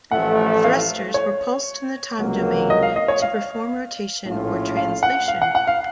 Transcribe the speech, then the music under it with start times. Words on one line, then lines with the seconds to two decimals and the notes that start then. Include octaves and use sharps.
Thrusters were pulsed in the time domain to perform rotation or translation.
0.11 A1 A2 F3 A3 F#5
0.64 F5
1.14 C#5
2.19 C#2 C3 F#3 A#3
2.70 D#5
2.83 F5
2.96 D#5
3.08 C#5
3.22 F5
4.26 A#1 A2 A3 C#4 F4
4.77 F5
5.03 F#5
5.28 F5
5.42 F#5
5.55 F#5
5.67 F5